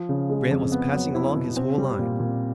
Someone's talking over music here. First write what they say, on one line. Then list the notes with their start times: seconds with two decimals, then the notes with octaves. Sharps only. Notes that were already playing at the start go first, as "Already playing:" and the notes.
Grant was passing along his whole line.
Already playing: F3
0.09 C#3
0.30 G#3
0.51 F2
0.72 B3
0.93 F#3
1.14 E4
1.36 B2
1.57 C4
1.78 G3
1.99 A#2
2.20 A#2